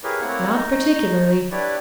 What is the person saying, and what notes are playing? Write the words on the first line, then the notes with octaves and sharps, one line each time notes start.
"Not particularly."
E4 G4 G#4 A#4 B4 C#5
A3 A#3 C4 E4 C#5 F#5
D#4 A#5 C#6
D4 E4 G4 B4 C#5 D5